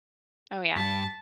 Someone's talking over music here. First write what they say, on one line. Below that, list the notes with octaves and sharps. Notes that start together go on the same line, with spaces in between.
Oh, yeah.
G2 A5 B6